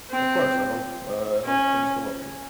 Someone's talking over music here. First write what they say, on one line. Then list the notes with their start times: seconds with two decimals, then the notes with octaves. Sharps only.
Well, of course, I hope uh, I hope things go well for you.
0.11 C4
1.45 C#4